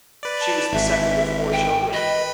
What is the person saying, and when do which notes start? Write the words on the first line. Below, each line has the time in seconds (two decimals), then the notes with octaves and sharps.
She was the second of four children.
0.23 B4 D5
0.41 A5
0.73 G#1 E3 E5
1.53 G5
1.93 B4 D#5 B5